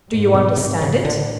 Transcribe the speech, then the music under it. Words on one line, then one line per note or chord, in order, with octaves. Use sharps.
"Do you understand it?"
G#2
B2
G#2 C3
C#3
A2 D3